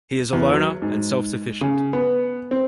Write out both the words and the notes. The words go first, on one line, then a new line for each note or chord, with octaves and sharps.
He is a loner and self-sufficient.
E2
F#3
G#2
C#3
B3
C4